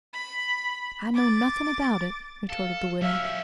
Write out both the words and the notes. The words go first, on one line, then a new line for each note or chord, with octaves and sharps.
"I know nothing about it," retorted the widow.
B5
D6 A6
A4 F5
F#3 G3 C#4 E5 F5